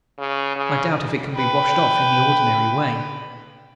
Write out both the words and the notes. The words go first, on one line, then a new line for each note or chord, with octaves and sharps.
I doubt if it can be washed off in the ordinary way.
C#3
C#3
B4 G5